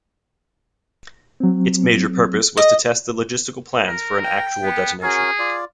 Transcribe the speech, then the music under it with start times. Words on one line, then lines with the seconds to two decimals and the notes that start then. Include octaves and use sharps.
Its major purpose was to test the logistical plans for an actual detonation.
1.40 F#3 C4
2.57 D#5
3.88 A#4
4.24 G5
4.63 B3
5.02 C#4 F#4 G#4 A#4
5.39 F4 D5